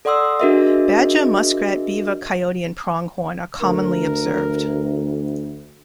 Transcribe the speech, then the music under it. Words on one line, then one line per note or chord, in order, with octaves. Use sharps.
Badger, muskrat, beaver, coyote, and pronghorn are commonly observed.
A4 D5 F#5 C6 D#6 E6
D4 F#4 G#4 A#4 D#5 E5
D2 A#4